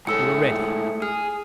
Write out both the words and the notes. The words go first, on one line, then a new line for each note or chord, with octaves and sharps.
We were ready.
A2 G#3 A3 A4 E6 C#7
G#4 F6